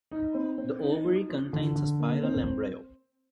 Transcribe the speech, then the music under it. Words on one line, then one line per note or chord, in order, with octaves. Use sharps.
The ovary contains a spiral embryo.
D#4
C4
C4
D#4
F3
F3
D3
D3
A#3
C4